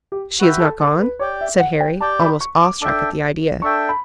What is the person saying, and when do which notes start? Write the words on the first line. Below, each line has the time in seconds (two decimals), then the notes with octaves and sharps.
"She has not gone?" said Harry, almost awe-struck at the idea.
0.12 G4
0.39 F#4 B4 E5 G5
0.60 A4
0.80 A4
0.99 B4
1.19 G4 C#5 D5 G5
1.41 E5
1.60 F#5
1.80 G5
2.01 G4 D5 G5 A5
2.21 B5
2.41 C#6
2.62 D6
2.81 D4 A4 E5 G5 D6
3.62 D4 A4 E5 G5 C#6
3.89 B5